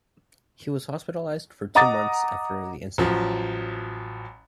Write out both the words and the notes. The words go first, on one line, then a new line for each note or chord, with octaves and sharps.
He was hospitalized for two months after the incident.
D#5 F#5 A#5 D6 D#6 A6
A1 F3 F#3